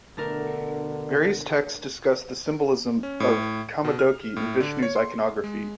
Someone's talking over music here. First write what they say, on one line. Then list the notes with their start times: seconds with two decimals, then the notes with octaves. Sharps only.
Various texts discuss the symbolism of Kaumodaki in Vishnu's iconography.
0.17 B2 D3 A3 D4 A#4
3.03 C#4
3.20 A2
3.84 B2
3.99 F6
4.36 A2
4.60 D3
4.82 C#5
4.96 C6
5.44 G#3